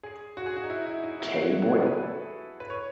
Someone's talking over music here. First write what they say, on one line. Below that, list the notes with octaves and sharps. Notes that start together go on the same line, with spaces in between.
Kay Boyle.
G#4
F#4
G#4
F#4
D#4
E4
E4
D#4
E4
F#4
E4
F#4
G#4
B4
A4
B4
C#5